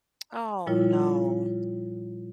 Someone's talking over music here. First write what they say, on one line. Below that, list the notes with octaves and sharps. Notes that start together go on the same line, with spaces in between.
Oh, no.
A#2 F3 G3 E4 F4 C#5